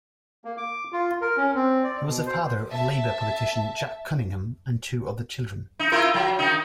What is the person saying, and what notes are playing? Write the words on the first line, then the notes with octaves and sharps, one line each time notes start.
He was the father of Labour politician Jack Cunningham and two other children.
A#3
D6
F4
A#4
C#4
C4
D5
B2
C5
E5 A5
D#4
E4 F4 A#4
F#3
D#3 D#4